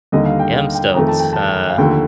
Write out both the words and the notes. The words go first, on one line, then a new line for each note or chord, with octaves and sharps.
Yeah, I'm stoked. Uh.
D#2 D3 G3 D#5
F5
G5
F5
G5
F2 D#3 A3 A#5
A5
G5
A5
F5
D#2 D3 F3 A3 G5